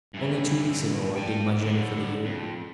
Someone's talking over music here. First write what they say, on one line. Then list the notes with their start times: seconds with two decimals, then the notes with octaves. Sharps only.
Only two weeks ago I did my journey for the year.
0.14 G2 E3
1.16 G5 A5
1.61 A2 D3
2.25 F2